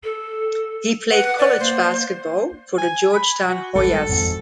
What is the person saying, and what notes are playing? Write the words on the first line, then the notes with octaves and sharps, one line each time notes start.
He played college basketball for the Georgetown Hoyas.
A4
B4 F#5
B4 D5
A#3 C5
G#5
B5
F#4
G#1 G3 A4
F2 G#2 F3